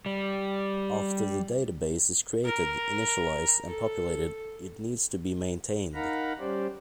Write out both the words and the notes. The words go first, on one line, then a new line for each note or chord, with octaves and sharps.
After the database is created, initialised and populated it needs to be maintained.
G3
A#4
A4
D#4 A#4 F5 F#5 A#5 B5
G3 C#4 G4 C5 D5